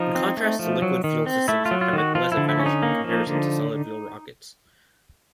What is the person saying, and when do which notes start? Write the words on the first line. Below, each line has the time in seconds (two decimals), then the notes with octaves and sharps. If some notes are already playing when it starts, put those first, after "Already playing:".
In contrast to liquid-fuel systems that have less advantage in comparison to solid-fuel rockets.
Already playing: F3 D#4
0.15 C4
0.37 A3
0.59 F3
0.82 F#3
1.04 D#3
1.26 C4
1.48 A3 E4
1.65 F4
1.71 F#3
1.81 F4
1.93 D#3
1.98 F#4
2.15 F3 F4
2.32 E4
2.37 D3
2.49 E4
2.60 C#4
2.66 D#4
2.83 A#3
3.04 F3
3.27 D3